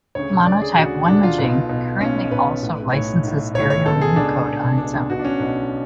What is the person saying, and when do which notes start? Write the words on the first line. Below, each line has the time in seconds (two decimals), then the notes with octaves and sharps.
Monotype onemaging currently also licenses Arial Unicode on its own.
0.15 D2 C#3 C#5
0.46 D2 C#3 D5
0.62 G#4
0.77 D2 C#3 F#4
1.08 D2 C#3 D4
1.23 F4
1.38 B1 B2
1.69 B1 B2
2.00 B1 B2 C#4
2.31 B1 B2 B4
2.62 B1 A2
2.93 B1 A2 C#5
3.23 B1 A2
3.54 B1 A2 C#5
3.70 C#5
3.86 C#2 B2 A4
4.01 G#4
4.16 C#2 B2 D4
4.48 C#2 B2
4.78 C#2 B2 D4
4.93 D4
5.09 B1 B2 F#4
5.19 D4
5.25 C#4
5.39 B1 B2